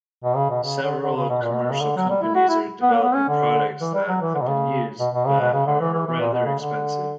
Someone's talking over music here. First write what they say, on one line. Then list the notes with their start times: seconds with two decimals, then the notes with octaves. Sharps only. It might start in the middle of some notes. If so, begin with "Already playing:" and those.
Several commercial companies are developing products that have been used, but are rather expensive.
0.24 B2
0.36 C#3
0.50 B2
0.64 C#3
0.83 D3
1.03 D3
1.16 C#3
1.29 B2
1.42 A#2
1.53 B2
1.63 B2
1.72 C#3
1.82 D3
1.96 F#3
2.09 G3
2.22 E4
2.35 F#4
2.49 E4
2.82 B3
2.92 A#3
3.02 B3
3.15 C#4
3.28 D3
3.81 E3
3.94 G3
4.08 F#3
4.21 E3
4.35 D3
4.42 B2
4.47 C#3
5.00 B2
5.14 B2
5.27 C#3
5.40 B2
5.53 C#3
5.67 D3
5.80 E3
5.94 E3
6.07 E3
6.20 A#2
6.33 B2
6.46 C#3
6.59 D3